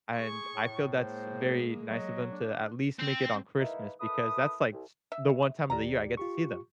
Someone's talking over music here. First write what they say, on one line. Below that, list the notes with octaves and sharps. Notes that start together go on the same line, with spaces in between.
and, I feel that's very nice of 'em to at least make it on Christmas, because that's like s the one time of the year I get to see them.
G#4 C#6
A2
G#3 A#3 C5
F#3 D#5
D4
C4
D#3 E3 G#3 A#3 D#4 E4
D#3 E4 A4 B4 D#6
C2
E5
D#2 G4 D5 A#5
F4 G4 C#6